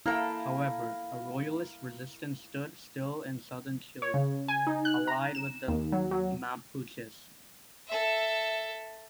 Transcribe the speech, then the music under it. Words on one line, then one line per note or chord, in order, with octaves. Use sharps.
However, a Royalist resistance stood still in southern Chile, allied with the Mapuches.
A#3 E4 A4 F5 G5 A#5
C#5
C#3
G#5
D#4
F#6
A#5
E7
D#2
F#3
F#3
A4 E5